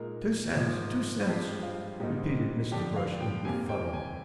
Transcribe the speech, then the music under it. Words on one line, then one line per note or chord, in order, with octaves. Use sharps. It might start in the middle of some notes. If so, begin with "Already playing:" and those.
"Two cents, two cents," repeated Mr. Brush in befuddlement.
Already playing: A#2 G#3 D#4 A#4
G#2 F3 A#3 D#4
G2 F3 G#3 C4 G4
F4
G#2 G3 A#3 D#4
F2 D3 G3 D4 G4
F5
G5
C3 G3 A#3 G#5
G5
G#5